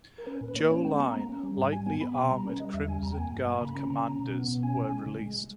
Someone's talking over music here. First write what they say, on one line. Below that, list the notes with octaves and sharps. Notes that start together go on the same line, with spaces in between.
Joe line, lightly armored Crimson Guard Commanders were released.
A#4
C#4 B4
A#2
B4
A#3 C#5
C#4 C#5
G#3 G5
B3 A#5
A#3
C#4
G3
G#2
G3 G#5
B3 G#5
B3 B5
B2 B5
G3 A#5
A#5
C#4 B4
G3 D#5
E2 E5
G3 G#5
E2 A#5
G5
A#3 G#5
G2
A#3 G#5
B5
C#3 A#5
B5
C#4 A#5
C#3 A#5
C#4
B2
B3
B2
C#4 G#5
A#2
G#3
C#3
G#3